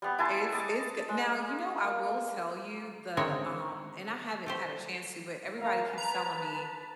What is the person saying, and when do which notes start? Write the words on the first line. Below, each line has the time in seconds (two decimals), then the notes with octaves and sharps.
It's it's g Now, you know, I will tell you the, um and I haven't had a chance to, but everybody keeps telling me
0.02 G3 B3
0.18 E4 G#5 A5 C6
0.52 D#5 A5 D6
1.09 G#3
1.84 A#3
3.17 D3 D#3 G#3 C4 A#4 C#5
4.46 A3 G4 C5
5.59 A#4 F5
5.98 B4 A5 A#5